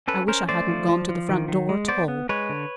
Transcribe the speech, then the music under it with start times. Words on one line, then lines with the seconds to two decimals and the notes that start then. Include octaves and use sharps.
I wish I hadn't gone to the front door at all.
0.08 C#4 A4 B4
0.28 C#4 A#4 C5
0.48 A3 C5 D5
0.68 F3
0.89 F3
1.09 F3
1.29 D#3
1.48 D#3
1.69 G#3
1.88 B3 C5 D5
2.08 B3
2.29 G#3 B4 C#5
2.49 D3